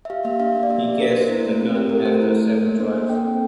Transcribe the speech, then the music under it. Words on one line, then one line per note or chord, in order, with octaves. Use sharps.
He gets the gun after seven tries.
E5
G4 F5
A#3 E5
D4 F5
A#3
D5
G4 E5
A#3
D4 A#4
C5
A#3
E4 C5
A3
C4
G4
A4 A#4
A3 C5
E4
A3
A4
A#3
D4 C5
A#3
A4 G5
C4